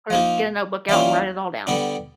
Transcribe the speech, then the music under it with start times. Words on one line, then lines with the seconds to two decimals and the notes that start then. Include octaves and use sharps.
or get a notebook out and write it all down.
0.10 F3 A#3 D#4
0.89 E3 G3 A#3 C#4 F4
1.67 D3 G3 B3 D4